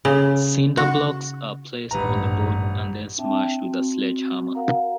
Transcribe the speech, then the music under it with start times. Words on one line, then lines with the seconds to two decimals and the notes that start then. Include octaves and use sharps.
Cinder blocks are placed on the board and then smashed with a sledgehammer.
0.05 C#3
0.77 F#4
1.91 D#1 A1 G2 B4 A#5
3.18 C4 D4 E5 G5 A5
3.61 C4 F#4
4.55 F#4 A#4 F5 F#5 A#5